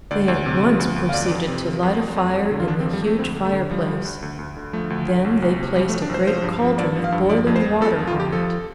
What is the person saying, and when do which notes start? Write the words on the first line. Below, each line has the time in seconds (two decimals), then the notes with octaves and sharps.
They at once proceeded to light a fire in the huge fireplace; then they placed a great cauldron of boiling water on it.
0.11 D2 D5
0.28 D2
0.46 C3
0.63 F3
0.80 D2
0.96 D2
1.09 F5
1.14 F2 D5
1.26 D5
1.31 F2
1.48 C3
1.65 F3
1.83 F2
2.00 F2
2.16 F2
2.33 F2
2.51 D3
2.60 F4
2.68 F3 D4
2.80 C4
2.85 F2
2.93 G3
3.02 F2 A3
3.19 D2 C4
3.36 D2
3.45 A3
3.53 D3
3.70 F3 G3
3.87 D2
4.05 D2
4.22 D2
4.39 D2
4.57 D3
4.73 F3 A3
4.90 D2
5.08 D2
5.24 C2
5.42 C2
5.59 C3
5.76 F3 G3
5.89 A3
5.93 C2
6.02 D4
6.10 C2 C5
6.27 F3 C5
6.44 G2
6.62 F3
6.78 G2 D5
6.95 F3
7.04 F5
7.12 G2
7.29 F3 D5
7.47 F2
7.56 C5
7.64 F3
7.81 F2 A4
7.98 F3
8.07 F4
8.16 F2 G4
8.32 F3 A4